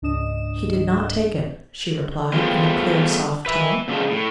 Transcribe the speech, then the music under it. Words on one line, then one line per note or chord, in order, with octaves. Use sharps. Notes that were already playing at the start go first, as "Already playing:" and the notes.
"He did not take it," she replied, in a clear, soft tone.
C#2 G#2 D4 D#5 D#6 E7
G3 A3 B3 C4 F4 G#4
B4 E5
A#2 C#3 F3 G#3
A2